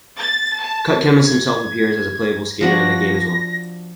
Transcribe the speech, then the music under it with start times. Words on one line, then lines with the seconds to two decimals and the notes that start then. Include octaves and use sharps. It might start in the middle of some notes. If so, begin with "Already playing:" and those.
Cut Chemist himself appears as a playable skater in the game as well.
0.19 A6
0.61 A5
1.26 G#6
2.61 F3 D4 F#4 A#6